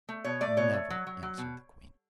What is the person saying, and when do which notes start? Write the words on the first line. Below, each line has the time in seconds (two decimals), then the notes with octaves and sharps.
"Never," answered the Queen.
0.09 A3
0.24 B2 C#5
0.41 A3 D5
0.57 B2 C#5
0.73 A3
0.90 F#3
1.07 F#3
1.23 F#3
1.38 B2